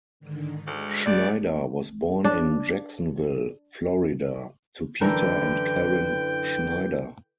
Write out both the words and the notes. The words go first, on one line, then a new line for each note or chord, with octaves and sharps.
Schneider was born in Jacksonville, Florida to Peter and Karen Schneider.
G#2 D3 D#3
D2 G#3 C#7
E2 D5
D4
F#2 D3 E3 D4 A#4 B4 G5 A5